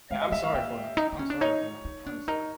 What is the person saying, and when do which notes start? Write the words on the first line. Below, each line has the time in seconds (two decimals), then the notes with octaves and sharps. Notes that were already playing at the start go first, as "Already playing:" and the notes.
Yeah, I'm sorry for him, I'm sorry for him, honestly,
0.10 G#3 F5
0.22 D#5
0.32 G#3 E5
0.44 F5
0.54 A#3 G5
0.97 D#4
1.13 D4
1.19 C#4
1.30 D4
1.41 D#4 C#5
1.85 D#4
2.07 D4
2.28 D#4 A#4